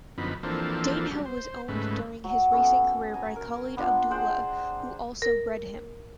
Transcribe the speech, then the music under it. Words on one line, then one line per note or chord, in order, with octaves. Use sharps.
Danehill was owned during his racing career by Khalid Abdullah, who also bred him.
F#2 D3 F3 B3 D#4 B5
E3 F3 A#3 C4 D4 A4
C#3 F#3 G3
C5
G#2 C#3 A3 B4
F#3
B3 C#4 A4
G#5 A#5
A#4
B3 D4 F4 A#5
G#4 C5 F#5 G5
A#4